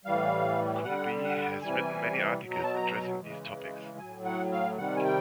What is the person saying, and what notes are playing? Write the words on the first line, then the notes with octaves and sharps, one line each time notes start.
Coombe has written many articles addressing these topics.
A2 E3 G3 F5
D3 G3 F#5
F#5
C3 E3 G3 G#5
B2 F#3
A#5
A5
A#5
C#3 E3 G#3
A2 F#3 G#5
F#5
F5
C3 D#3 G3 F#5
G#5
G5